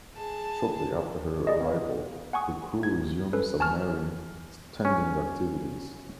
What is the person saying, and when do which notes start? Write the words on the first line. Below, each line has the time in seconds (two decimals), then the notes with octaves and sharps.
Shortly after her arrival, her crew resumed submarine tending activities.
0.16 G#4 A5
1.47 G#4 D5 D#5
1.61 B3 C#5 F5
2.33 F#5 G#5 C#6 D#6
2.79 D#4 G#6
3.33 C#4 A4 B4
3.60 G#5 A5 C#6 F6
4.85 C#4